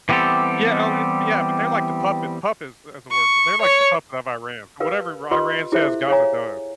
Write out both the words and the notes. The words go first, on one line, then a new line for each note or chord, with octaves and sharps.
Yeah. Oh, it Yeah, but they're like the puppet puppets, is the word. But they're like the puppet of Iran. Whatever Ira Iran says, Gaza does.
E3 G3 B3 C4 G4 A4
C#6
C#5
G4 A#4 B4 F5
F4 G4 B4 D#5 C6
E4 G4 A4 C5 E5
G#4 C#5 F5 G#5 A#5